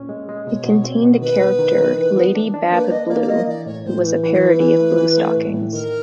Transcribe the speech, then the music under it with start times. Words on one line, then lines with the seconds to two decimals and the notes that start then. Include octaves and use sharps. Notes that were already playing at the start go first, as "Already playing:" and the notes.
It contained a character Lady Bab Blue who was a parody of bluestockings.
Already playing: A#2 C#4
0.09 G#3
0.29 G#3
0.47 B2 C#5
0.66 B2
0.84 C4
1.03 B2
1.22 D#3 B4
1.40 B3
1.59 D#3
1.78 D#3
1.98 E3
2.16 B3
2.35 D4
2.54 D4
2.72 A#3 B4
2.85 D5
2.91 D4 D#5
3.10 A#3 D5
3.21 D5
3.29 A#3 D#5
3.47 E3 D5
3.66 A2 C#5
3.85 A2 C5
4.04 E3 B4
4.23 E3 B4
4.33 C5
4.41 E3 B4
4.60 E3
4.80 A3
4.98 E3
5.18 A3
5.36 A2
5.54 A2
5.73 D#3 A#4